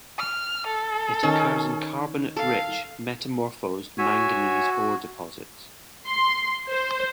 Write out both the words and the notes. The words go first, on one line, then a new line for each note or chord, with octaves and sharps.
It occurs in carbonate-rich metamorphosed manganese ore deposits.
F6
A4
D#3 C#4
A4 F5
F#4 C#5 E5 G#5
C6
C5